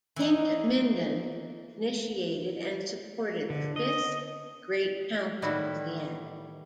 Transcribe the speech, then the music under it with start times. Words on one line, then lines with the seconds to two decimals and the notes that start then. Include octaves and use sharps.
King Mindon initiated and supported the Fifth Great Council to the end.
0.16 E3 D#4
3.50 D3
3.76 D#5
5.42 A2 D#3 G3 E4 F#4